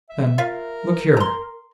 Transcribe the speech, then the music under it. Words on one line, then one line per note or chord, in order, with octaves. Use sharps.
Then, "Look here!"
E5
F4 A#4 E5 F5
A#5 C6